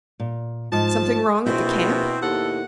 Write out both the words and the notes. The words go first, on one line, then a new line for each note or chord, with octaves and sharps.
"Something wrong at the camp?"
A#2
G#2 F3 A5
A#1 B2 C4 E4 C5
D#2 B2 A3 A4 F#5